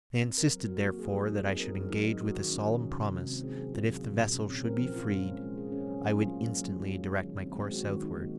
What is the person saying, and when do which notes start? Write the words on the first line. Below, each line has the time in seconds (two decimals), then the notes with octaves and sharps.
They insisted, therefore, that I should engage with a solemn promise that if the vessel should be freed I would instantly direct my course southwards.
0.22 C4
0.38 A#4
0.53 F#3
0.68 F#4
0.83 A#3
0.99 G#4
1.13 F#3
1.29 D#4
1.44 C4
1.60 A#4
1.75 F#3
1.90 D#4
2.05 F#3
2.21 F#4
2.36 D#3
2.51 C#4
2.66 D#3
2.82 C3
2.97 C3
3.12 G#3
3.28 C4
3.44 G#4
3.58 F#3
3.74 F4
3.89 F#3
4.04 A#2
4.20 A#2
4.35 C#4
4.49 C4
4.65 A#4
4.80 F3
4.95 F4
5.11 C#4
5.26 G#3
5.42 G#3
5.58 G#4
5.72 C#4
5.87 F#3
6.03 F#3
6.18 F4
6.34 A#3
6.48 F#3
6.64 F#3
6.79 D#4
6.94 G#3
7.10 D#4
7.25 D#3
7.41 C4
7.56 G#3
7.71 F#4
7.87 D#3
8.02 D#4
8.17 A#3